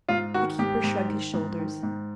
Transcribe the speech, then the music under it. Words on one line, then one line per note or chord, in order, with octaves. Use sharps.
The keeper shrugged his shoulders.
G#2 F4
D#3 F#4
G#2 G4
G#2
D#3
G#2
D#3
G#2